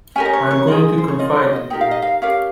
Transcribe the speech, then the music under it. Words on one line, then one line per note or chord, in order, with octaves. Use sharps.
I’m going to confide in you.
C#4 G4 A#4 G#5
D#5
C#5
C#5
F4 G#4 D#5
C5
C#5
F4 A#4 D#5
C#5
D#5
D#4 G4 A#4 G5
F5
D#5
F5
C#4 G4 A#4 F5